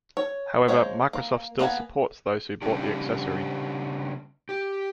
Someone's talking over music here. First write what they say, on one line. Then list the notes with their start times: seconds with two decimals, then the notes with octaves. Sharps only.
However, Microsoft still supports those who bought the accessory.
0.17 C#5
0.68 G#3 A#3 C5 C#5
1.13 A#3
1.59 A#3 B3 D5 G#5
2.62 C#3 G3 C#4 D4 G4
4.49 G4